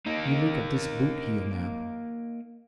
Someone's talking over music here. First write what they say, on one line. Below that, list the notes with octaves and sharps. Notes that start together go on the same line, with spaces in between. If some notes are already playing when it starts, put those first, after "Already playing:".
You look at this boot heel, now.
A#3 D#4